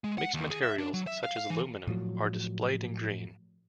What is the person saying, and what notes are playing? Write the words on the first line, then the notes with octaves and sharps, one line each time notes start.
Mixed materials such as aluminum are displayed in green.
G#3
F#5
D#2
G#4
E5
D4
F#3
E5
F5
F5
E3
A2 F3 F#3